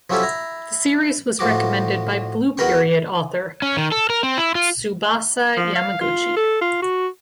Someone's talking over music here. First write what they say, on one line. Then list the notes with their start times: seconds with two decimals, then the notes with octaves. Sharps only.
The series was recommended by "Blue Period" author Tsubasa Yamaguchi.
0.10 F3 F#3 C#4 E4 G4 A4
0.23 E4 A#5
1.39 A2 F3 F#4 D6
2.57 E2 F#4 A#4 B4 G5 C#6
3.62 C#4
3.77 D#3
3.92 A4
4.10 A#4
4.23 C4
4.38 E4
4.55 F4
5.57 F3
5.75 F5
6.01 F4
6.36 A4
6.61 F4
6.82 F#4